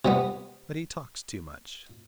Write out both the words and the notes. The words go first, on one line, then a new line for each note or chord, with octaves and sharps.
"But he talks too much."
C3 G3 B3